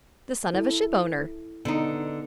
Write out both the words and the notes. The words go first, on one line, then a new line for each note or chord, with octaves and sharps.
"The son of a shipowner."
E4 A4
D3 B3 D#4